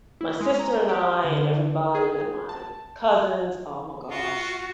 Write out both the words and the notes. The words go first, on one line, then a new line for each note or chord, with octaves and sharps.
my sister and I, and everybody, and my cousins oh my gosh,
E4
G#3
A#5
G4
D3
G#4
A5
F4 F#4